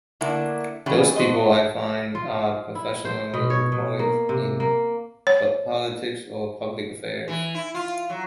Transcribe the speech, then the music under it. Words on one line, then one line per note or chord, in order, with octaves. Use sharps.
Those people, I find, are professionally employed in politics or public affairs.
D3 A3 A#3 D4 E4
D3 E3 G3 C#4
F#4 A4 C5 D#5
F4
E4
C5
B2
C#5
B2
A#3
C3
A#3
C#5
E3
E4
F4
F#3